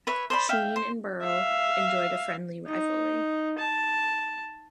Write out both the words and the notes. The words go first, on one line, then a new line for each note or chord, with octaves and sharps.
Sheen and Berle enjoyed a friendly rivalry.
B4 C#5 E5
C5 D5 B5
E5 F5 G5
C5
E5 F5
D#4
A5